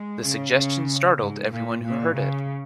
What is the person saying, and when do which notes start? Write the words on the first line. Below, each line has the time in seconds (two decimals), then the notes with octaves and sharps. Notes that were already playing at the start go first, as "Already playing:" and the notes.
The suggestion startled every one who heard it.
Already playing: G#3
0.22 C#3
0.54 C#3
1.18 G#2
1.50 A#2
1.83 A#2
2.15 C#3